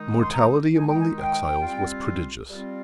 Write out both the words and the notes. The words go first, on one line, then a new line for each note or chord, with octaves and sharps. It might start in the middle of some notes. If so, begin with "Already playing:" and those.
The mortality among the exiles was prodigious.
Already playing: D#3 G#3 D#4
C6
A#5
D#3 G#3 D#4 G#5
G5
G#5
G5
G3 C4 F4
G3 C4 F4